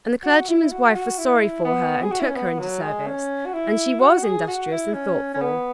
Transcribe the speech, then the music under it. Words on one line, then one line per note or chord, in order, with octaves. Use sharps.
And the clergyman's wife was sorry for her and took her into service; and she was industrious and thoughtful.
F#4
E4
F#4
F#4
E4
B3
G#4
F#4
E4
C#4
B3
F#3
G#3
C#4
F#4
E4
F#4
G#4
F#4
E4
C#4
C#4
B3